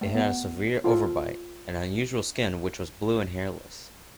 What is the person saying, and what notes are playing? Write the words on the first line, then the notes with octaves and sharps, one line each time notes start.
It had a severe overbite and unusual skin which was blue and hairless.
A3
B3
F4 A4